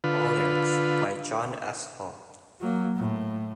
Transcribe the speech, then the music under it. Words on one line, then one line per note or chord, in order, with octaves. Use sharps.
All lyrics by John S. Hall.
D3 F4 B4
F#3 A#3
A2